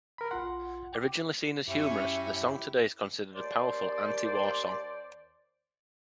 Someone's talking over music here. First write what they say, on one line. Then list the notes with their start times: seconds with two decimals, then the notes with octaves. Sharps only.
Originally seen as humorous, the song today is considered a powerful anti-war song.
0.18 A#4 B5
0.31 A#1 F4 F#5 C6
0.93 G5 D6
1.67 F#2 C#4 E4 F#4 G4 E5
3.35 D#2 C5 D5